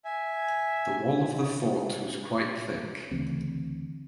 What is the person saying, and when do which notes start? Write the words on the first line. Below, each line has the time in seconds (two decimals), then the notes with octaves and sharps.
The wall of the fort was quite thick.
0.05 E5 G#5
3.11 D2 C#3 E3 C4